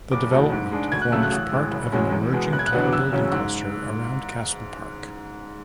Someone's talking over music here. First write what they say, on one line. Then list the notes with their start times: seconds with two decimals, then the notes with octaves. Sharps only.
The development forms part of an emerging tall building cluster around Castle Park.
0.12 F#1 D6
0.31 E2 B2 A3
0.52 G#2
0.72 G#3 D4
0.92 D2 G#6
1.02 F#6
1.12 C#3 F#3 A3 E6
1.23 F#6
1.32 A1
1.52 A2 G#3
1.72 F#1
1.92 E2 B2 G#3 C#4
2.12 E2
2.32 B2 G#3 B3
2.52 F#1 F#6
2.59 G#6
2.66 F#6
2.73 E2 D3 F#3 B3
2.85 D6
2.92 F#1 E6
3.12 E2 C#3 F#3 C#4
3.32 G#2